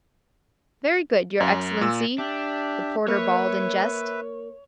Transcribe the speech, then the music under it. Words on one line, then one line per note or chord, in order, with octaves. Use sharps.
"Very good, your Excellency!" the porter bawled in jest.
F#2
A#2 E6
D4 G4 E5
A#3 B4 C#5 E5